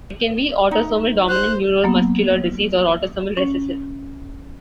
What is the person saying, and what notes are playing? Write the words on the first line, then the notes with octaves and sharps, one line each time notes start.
It can be autosomal dominant neuromuscular disease or autosomal recessive.
D#4
C5 F#6
F#3 A#3 B3
C#4